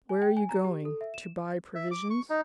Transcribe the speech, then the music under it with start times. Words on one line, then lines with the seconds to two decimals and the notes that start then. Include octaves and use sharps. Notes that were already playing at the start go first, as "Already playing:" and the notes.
"Where are you going--to buy provisions?"
0.09 G#5
0.22 G5
0.37 G#5
0.49 A#5
0.64 G4
0.85 A4
1.01 E5
1.14 E7
1.75 E5
1.91 D6
2.10 C#6
2.30 D#4